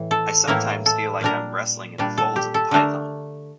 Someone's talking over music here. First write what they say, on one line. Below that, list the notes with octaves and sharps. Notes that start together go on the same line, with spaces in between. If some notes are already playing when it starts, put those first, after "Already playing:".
I sometimes feel like I'm wrestling in the folds of a python.
Already playing: A2 E3
A4
A2 E3 A#3 E4 A#4
A4
A#2 G3 D4 A#4
A#2 G3 D4
A4
G4
A4
D3 A3 D4 A#4